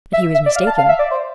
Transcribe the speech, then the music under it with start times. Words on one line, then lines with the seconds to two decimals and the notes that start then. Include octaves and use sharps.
But he was mistaken.
0.13 E5
0.35 E5
0.46 D5
0.56 F5
0.67 A5
0.78 F5
0.89 E5
0.99 D5
1.11 C5